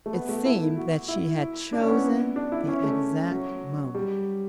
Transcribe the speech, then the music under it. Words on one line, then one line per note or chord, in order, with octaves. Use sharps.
It seemed that she had chosen the exact moment.
A3
B3
A3
E4
F#4
E4
D4
C#4
B3
D4
E4
C#4
A3
F#3
G3